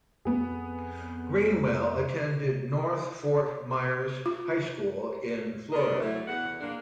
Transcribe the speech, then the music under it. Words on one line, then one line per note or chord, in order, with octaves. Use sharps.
Greenwell attended North Fort Myers High School in Florida.
F2 B3 G#4
F4
B3 D4 G4 A#4 D5 D#5
E3 F#3 A3
E2 F#5
G#3 A#3 D4